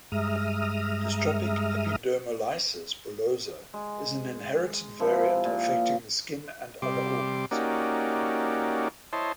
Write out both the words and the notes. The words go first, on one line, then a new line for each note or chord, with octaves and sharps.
Dystrophic epidermolysis bullosa is an inherited variant affecting the skin and other organs.
G2 G#3 E5 A#5 D#6 F6
G#3
C3 F3 E4
A#2
C3 G3 C6 D6
A#3 C#4 D#4 F#4 G4 D5
E4 C5 C#5 D#5 A5 C6